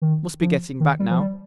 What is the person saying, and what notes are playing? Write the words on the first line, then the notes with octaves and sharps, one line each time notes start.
Must be getting back now.
D#3
F3
D#3
G3
F3
G3